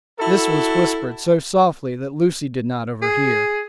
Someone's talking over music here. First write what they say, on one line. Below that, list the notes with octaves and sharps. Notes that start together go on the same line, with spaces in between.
This was whispered so softly that Lucy did not overhear.
E4 F#4 A4
G#4